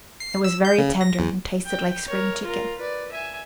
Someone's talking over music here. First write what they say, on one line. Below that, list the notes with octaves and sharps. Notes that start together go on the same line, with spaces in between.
It was very tender and tasted like spring chicken.
C7
E6
G6
C#3
A#6
E2
G5
A#4 C#5
F4 A#4
B4 D5
E5 G#5